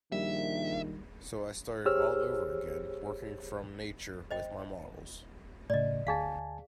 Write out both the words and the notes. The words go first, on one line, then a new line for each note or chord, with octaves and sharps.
So I started all over again, working from nature, with my models.
A#1 D#3 G3 E5
G4 G#4 C5 C#5 E6 F6
C5 D#5 G5
A2 C#3 D5 D#5
D2 G#4 F5 G#5 A5